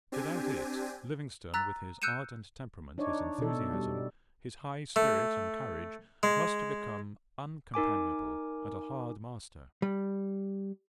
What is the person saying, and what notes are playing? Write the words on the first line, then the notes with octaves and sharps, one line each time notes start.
Without it, Livingstone, with his ardent temperament, his enthusiasm, his high spirit and courage, must have become uncompanionable, and a hard master.
C4 D4 G4 G#5
A#5 E6 F#6 A6 B6
E6 F#6 G6 C#7 D#7 E7
D4 D#4 C#5 D5
B2 A4
G3
A3
G#3
D#4 A#4 G#5 D6
G3